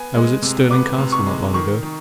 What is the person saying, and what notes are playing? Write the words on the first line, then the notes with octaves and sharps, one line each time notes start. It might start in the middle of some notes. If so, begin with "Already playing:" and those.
I was at Stirling Castle not long ago.
Already playing: B3 G#5
G#3
C3
B3 D6
C3
C#6
G#3
D#3 C#6
D#3